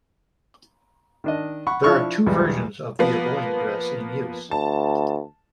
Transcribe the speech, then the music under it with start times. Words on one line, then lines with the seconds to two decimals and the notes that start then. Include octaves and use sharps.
There are two versions of the Aboyne dress in use.
1.24 D#3 D4 D#5
1.67 F#5 B5 C#6
1.84 F3 D4 E4 F4 C#6 F6
2.26 B1 E2 G3 G#3
2.99 F3 A#3 B3
4.51 D2 A5